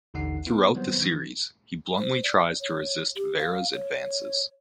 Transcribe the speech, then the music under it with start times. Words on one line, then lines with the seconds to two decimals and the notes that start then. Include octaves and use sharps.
Throughout the series, he bluntly tries to resist Vera's advances.
0.14 A1 D#2 D3 D#4 F#5 C7
0.47 B3 E4 F4
0.75 D#3 F#3 G3 B3 C4 C5
1.00 D#3 E3 C4
1.98 C5
2.23 D5
2.60 C#5
3.16 G4
3.38 F5
3.73 C#5